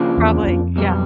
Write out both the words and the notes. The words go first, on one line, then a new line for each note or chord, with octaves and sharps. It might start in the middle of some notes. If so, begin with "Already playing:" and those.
Probably, yeah.
Already playing: C#2 C#3 F3 A#3 D4
E2
E2
F2
B1 B2 G3